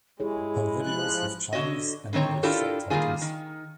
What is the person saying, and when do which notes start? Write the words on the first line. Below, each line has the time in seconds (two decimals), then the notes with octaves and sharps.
Her videos have Chinese and English subtitles.
0.20 G#3 E4 G4 G#4 C#5
0.82 F3 F#6
1.53 D3 F#4 C#5 D#5
2.13 D3 D#3 C4 C#5 A#5
2.43 D4 E4 F4 G4 A4 A#4
2.90 A#2 D#3 G3 A#3 F4 G#4
3.22 D#3